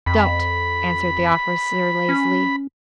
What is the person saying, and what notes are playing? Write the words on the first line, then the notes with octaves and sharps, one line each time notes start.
"Don't," answered the officer lazily.
F2 B5
C#4